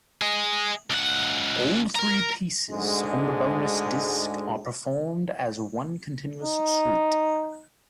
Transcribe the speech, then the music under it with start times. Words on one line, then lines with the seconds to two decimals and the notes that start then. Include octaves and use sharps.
All three pieces on the bonus disc are performed as one continuous suite.
0.22 G#4 D#5
0.90 C#2 F#5
1.95 A#4 A#5
2.72 D2 G#2 D3 G#3
6.43 D#4